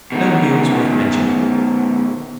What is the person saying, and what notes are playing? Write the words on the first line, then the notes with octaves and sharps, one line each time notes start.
No news worth mentioning.
B2 D#3